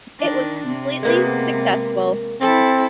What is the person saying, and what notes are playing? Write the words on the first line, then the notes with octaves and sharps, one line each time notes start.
It was completely successful.
D#3 D4
C3
G#3 A#3 B3
C4 E4 A4